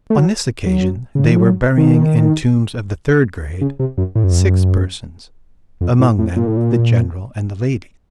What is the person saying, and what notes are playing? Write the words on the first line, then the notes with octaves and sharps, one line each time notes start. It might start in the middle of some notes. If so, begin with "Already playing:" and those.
On this occasion they were burying in tombs of the third grade six persons, among them the general and the lady.
A3
F#3
F#3
C#3
D#3
F3
F#3
D#3
C#3
C3
F#2
A2
F#2
F2
F#2
F2
A2
A2
A#2
A2
A#2